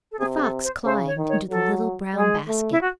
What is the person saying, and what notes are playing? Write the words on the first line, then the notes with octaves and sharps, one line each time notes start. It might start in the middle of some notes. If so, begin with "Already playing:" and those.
The fox climbed into the little brown basket.
A4
C3 G#4
G#4
A4
C5
C#3 C5
C#5
D#3
C#5
F#3 A4
G#3 G#4
A3
E4
F#4